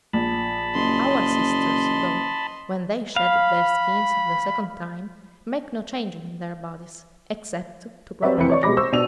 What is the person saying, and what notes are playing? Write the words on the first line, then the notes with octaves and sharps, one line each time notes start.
Our sisters, though, when they shed their skins the second time, make no change in their bodies, except to grow larger.
A#1 A5 B5
F#1 D#5 C6
F5 B5
G3 C4 B4 D5 E5
F1 E3 C4 E4 B4 C#7
C#5 D5 C#6
B2 G3 G#3 B5 D6 A#6
C5 C#6 E6
B2 D4 D#7 F7